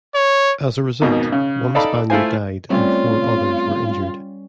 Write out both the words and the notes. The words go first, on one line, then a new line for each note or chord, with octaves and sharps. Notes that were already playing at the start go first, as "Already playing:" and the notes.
As a result, one Spaniard died and four others were injured.
C#5
F2 G#2 B2 D#3
C#3
D#4 A4 D5 F5 B5
A3 E4 F4 C5 G#5
G3 A3 C4 C#4 F4